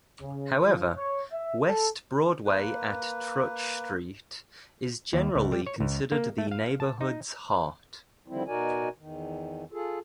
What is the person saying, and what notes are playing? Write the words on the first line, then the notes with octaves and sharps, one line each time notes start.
However, West Broadway at Trutch Street is generally considered the neighbourhood's heart.
C#3
F3
C#5
E5
A4
A#3 B4
D#2
C#2
G3
C#5
C#2
A#3
A3
F5
A5
D#4
D3 D#3 F3 G3 C4 E4
B2 D#4 F#4 A#4 D5 G#5
E2 D#3
F4 G#4 A4